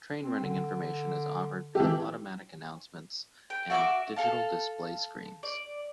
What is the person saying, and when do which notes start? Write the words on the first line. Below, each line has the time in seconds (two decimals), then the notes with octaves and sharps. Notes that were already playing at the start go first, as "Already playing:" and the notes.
Train running information is offered via automatic announcements and digital display screens.
0.23 C4
0.42 D3
1.75 E3 G4 A4
3.50 G5
3.70 F#4 E5 C6 D6
4.16 A4 F5 A5
5.43 D5